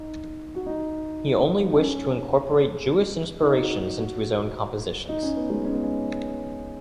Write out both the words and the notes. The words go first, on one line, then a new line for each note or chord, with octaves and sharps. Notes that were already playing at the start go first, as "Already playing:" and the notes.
He only wished to incorporate Jewish inspirations into his own compositions.
Already playing: D#4
F#4
D#4
D#4
C#4
D#4
F#4
D#4
F#4
D#4
C#4
B3
G#3
C#4
B3
C#4